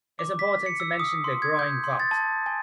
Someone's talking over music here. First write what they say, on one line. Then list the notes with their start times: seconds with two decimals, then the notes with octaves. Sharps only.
It’s important to mention the groin vault.
0.19 D6
0.39 B6
0.66 C#7
0.80 E6
1.00 D#6
1.24 C6
1.42 G#6
1.59 G6
1.84 C6
2.00 A6
2.11 A5
2.46 G#5